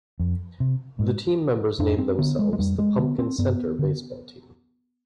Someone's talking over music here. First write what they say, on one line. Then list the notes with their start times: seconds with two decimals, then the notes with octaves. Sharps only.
The team members named themselves the "Pumpkin Center" baseball team.
0.20 F2
0.60 C3
0.99 G#2
1.79 F2 D4
1.99 C4
2.19 D3 B3
2.39 G#3
2.53 G#3
2.59 F2 G3
2.79 G#3
2.98 D3 B3
3.19 C4
3.38 G2 B3
3.79 D3